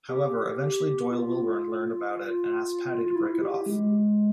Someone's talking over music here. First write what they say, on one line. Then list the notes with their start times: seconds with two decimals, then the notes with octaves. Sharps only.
However, eventually Doyle Wilburn learned about it and asked Patty to break it off.
0.09 G4
1.11 F4
3.05 F4
3.16 E4
3.41 G4
3.66 G#3